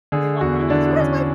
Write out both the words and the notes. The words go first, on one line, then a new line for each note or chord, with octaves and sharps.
they walk around going, "So where's my
D3 G#4
E2 F#4
E4
D3 D4
D3 C#4